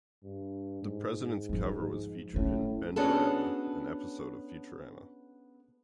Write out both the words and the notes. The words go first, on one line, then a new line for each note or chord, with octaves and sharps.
The Presidents' cover was featured in "Benderama," an episode of "Futurama".
G2
G#2
C#3 F3
A2 A3 C#4
B3 C#4 D4 F#4 G#4 A4